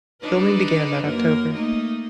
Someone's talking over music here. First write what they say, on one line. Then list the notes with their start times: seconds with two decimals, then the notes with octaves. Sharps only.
Filming began that October.
0.21 D4 D#4 B4
1.06 F#2 A#3 A#4
1.52 A3 A#3 D#4